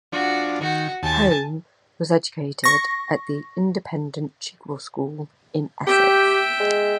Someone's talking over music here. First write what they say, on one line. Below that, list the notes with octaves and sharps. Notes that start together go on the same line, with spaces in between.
Holm was educated at the independent Chigwell School in Essex.
F3 D4 F#4
D#3 F#4
D#2 G#5 A5
C#6 A#6
G4 E5 G5
G#3